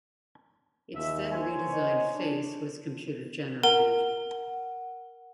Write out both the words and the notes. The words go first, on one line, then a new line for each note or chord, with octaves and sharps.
Its then redesigned face was computer generated.
D#2 E5
C5 C#5 G#5
D#5
D4
A#4 F#5